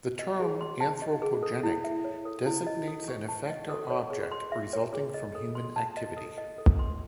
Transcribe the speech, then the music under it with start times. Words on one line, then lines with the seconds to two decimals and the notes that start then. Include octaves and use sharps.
The term "anthropogenic" designates an effect or object resulting from human activity.
0.19 D#5
0.40 G#4
0.61 C6
0.81 A5
1.02 D#5
1.22 G#4
1.43 A4
1.63 E4
1.84 E5
2.04 C#5
2.25 A4
2.46 E4
2.67 D#5
2.87 A4
3.08 C#6
3.28 A5
3.50 D#5
3.69 A4
3.90 C#5
4.10 G#4
4.32 C6
4.52 E5
4.73 C#5
4.93 G#4
5.14 D#5
5.35 A4
5.55 C6
5.76 A5
5.97 D#5
6.17 A4
6.38 D#5
6.58 A4
6.79 C6